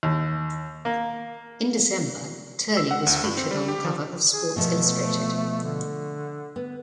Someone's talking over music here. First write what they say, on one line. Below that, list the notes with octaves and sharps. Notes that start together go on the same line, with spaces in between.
In December, Turley was featured on the cover of "Sports Illustrated".
D#2
A#3
E6
F#5
D2
G2
C4
G3
G4
F3
G#4
B2 F3 A3 B3
D3
B3